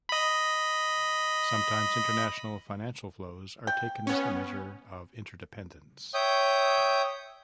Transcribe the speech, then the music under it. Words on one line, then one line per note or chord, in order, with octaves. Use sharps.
Sometimes international financial flows are taken as the measure of interdependence.
D#5 B5
G5
B3 C#4
C#5 E5 G5 D#6 G6